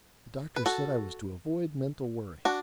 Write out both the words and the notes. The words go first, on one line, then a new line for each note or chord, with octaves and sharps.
The doctor said I was to avoid mental worry.
B4
F#4 A4
D4 F#4